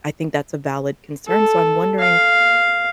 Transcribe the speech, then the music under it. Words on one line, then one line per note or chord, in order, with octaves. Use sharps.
I think that's a valid concern, so I'm wondering,
A4
F5